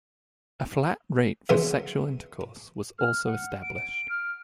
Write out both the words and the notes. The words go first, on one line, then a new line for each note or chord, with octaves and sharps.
A flat rate for sexual intercourse was also established.
C#3 E3 F#3 G#3 B3
F6
F#5
D7
D7
F6